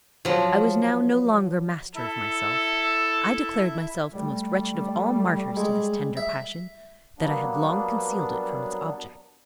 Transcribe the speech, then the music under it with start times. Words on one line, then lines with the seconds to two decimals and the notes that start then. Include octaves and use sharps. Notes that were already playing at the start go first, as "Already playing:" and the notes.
I was now no longer master of myself; I declared myself the most wretched of all martyrs to this tender passion; that I had long concealed it from its object.
0.25 F3 F#3
1.95 E4 A4 E5
4.12 G3 A3
5.57 G#3
6.17 E5
7.19 F#3 G3 A#3 B3 D4